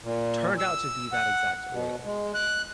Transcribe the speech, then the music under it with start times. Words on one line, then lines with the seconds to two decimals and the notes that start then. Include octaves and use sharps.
turned out to be that exact oil,
0.03 A#2
0.59 E6
1.13 F#5
1.72 B2
2.05 G#3
2.35 F#6